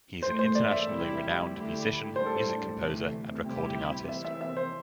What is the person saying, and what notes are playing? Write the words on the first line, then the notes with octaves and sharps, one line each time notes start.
He is an internationally renowned musician, music composer, and recording artist.
G2 E3 A3 C5
C5
D5
E5
C3 G3 E4 G4
D3 A3 E4 G4
A2 G3 D4 C5
A4
C5
D2 C3 E3 A3
D2 C3 G3 E4 G4
C3 E3 C4 E5
E5
E5
C5